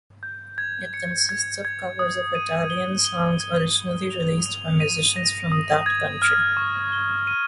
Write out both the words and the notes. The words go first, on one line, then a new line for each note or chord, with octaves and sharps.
It consists of covers of Italian songs originally released by musicians from that country.
G6
G#6
C#7
G#6
G#6
D#6
D#7
G7
G7
G#6
G#6
F7
F7
D#7
A#6
D#6
G#6
F6
C#6
G7
D#7